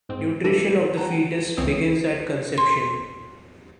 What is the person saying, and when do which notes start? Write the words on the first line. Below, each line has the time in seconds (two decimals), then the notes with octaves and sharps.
Nutrition of the fetus begins at conception.
0.09 G#2 C4
0.44 A#2 E3 D4 A4
0.96 F#5 G5 A5 A#5 F#6
1.57 C#2 E3 C4 C#5 D#6 E6
2.58 C6